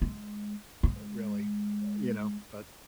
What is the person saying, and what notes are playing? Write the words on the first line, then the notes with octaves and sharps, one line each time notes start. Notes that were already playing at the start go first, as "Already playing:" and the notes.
really, uh, you know, but
G#3
G#3